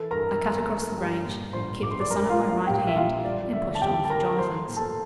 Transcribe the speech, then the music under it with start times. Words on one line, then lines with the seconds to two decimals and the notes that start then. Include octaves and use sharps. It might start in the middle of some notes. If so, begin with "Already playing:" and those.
I cut across the range, kept the sun on my right hand, and pushed on for Jonathan's.
Already playing: E3 A4
0.11 G2 A#4 A#5
0.40 G1
0.69 G1
0.97 G3
1.25 A#2
1.53 A#1 C5 C6
1.82 A#1 D6
1.91 C6
2.00 D5 D6
2.10 G3 A#4 A#5
2.29 F4 F5
2.39 A#2
2.49 F4 F5
2.67 A#1 G4 G5
2.87 E5
2.96 A#3 F4 F5
3.24 G3 D5
3.53 D3 E5
3.75 A5
3.82 F2 G4 G5
4.05 A5
4.10 F2 A#4 A#5
4.39 A3 C5 C6
4.67 A#2
4.77 A4 A5